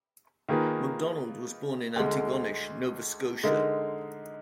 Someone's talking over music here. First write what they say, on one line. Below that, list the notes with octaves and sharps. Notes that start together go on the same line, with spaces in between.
MacDonald was born in Antigonish, Nova Scotia.
D#3 A#3 F4 G#4 B4
D2 D3 G#3
D3 G#3 D#4 A#4